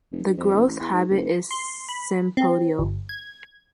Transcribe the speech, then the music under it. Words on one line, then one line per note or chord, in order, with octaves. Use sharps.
The growth habit is sympodial.
F1
G2
F2
F#1
A1
E2
G#2
F#1
C6
B5
C4
G1
G#6